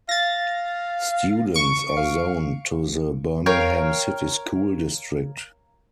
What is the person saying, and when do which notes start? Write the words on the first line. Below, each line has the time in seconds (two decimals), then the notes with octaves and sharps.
Students are zoned to the Birmingham City School District.
0.09 F5 A6 A#6
1.54 C#6 D7
1.97 F5
3.46 A#4 C#5 F5 G5